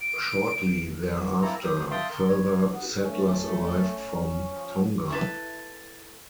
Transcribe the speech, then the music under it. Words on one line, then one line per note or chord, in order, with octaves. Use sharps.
Shortly thereafter, further settlers arrived from Tonga.
D7
A#3 C4 E4 A4 A#5
G4 C5 D#6
E5 F5 G5 A5 C6 D#6
A4 A#4 C6
C#5
B3
A3 C#4
F3
E4 A4 B4